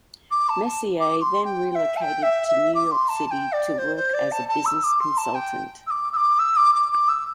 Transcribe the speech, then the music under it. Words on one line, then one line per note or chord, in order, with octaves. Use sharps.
Messier then relocated to New York City to work as a business consultant.
D6
A5
A5
D6
D6
C6
G5
G5
E5
A5
G5
E5
E5
D6
C6
A5
A5
G5
D5
C5
C5
D5
A5
A5
E6
D6
C6
A5
G5
E6
D6
E6
D6
E6
D6
D6
D6
E6